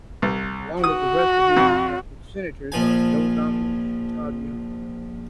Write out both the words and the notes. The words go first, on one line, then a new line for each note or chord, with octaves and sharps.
Along with the rest of Indiana, its Sentators are Joe Donnelly and Todd Young.
C2
F#4 D#6
F2
A#1 F3 G#5